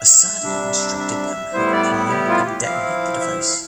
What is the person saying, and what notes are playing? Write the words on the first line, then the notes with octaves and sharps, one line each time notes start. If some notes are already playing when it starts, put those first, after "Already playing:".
Assadi instructed them how to prime and detonate the device.
Already playing: E5
C3 G3 D4
E5
A2 G3 B3 E4 C5
D5
G4
F4
G4
F3 C4 E4 F5
E5
F5